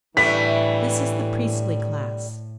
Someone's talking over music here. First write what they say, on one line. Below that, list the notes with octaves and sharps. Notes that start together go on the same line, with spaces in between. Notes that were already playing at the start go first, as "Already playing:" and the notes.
This is the priestly class.
A2 D3 E3 G3 A3 B6